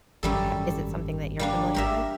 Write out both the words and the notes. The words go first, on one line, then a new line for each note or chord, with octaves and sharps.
ha is it something that you're familiar with?
G#1 F#2 G3 A4
G3 A#3 D4
G4 A#4 E5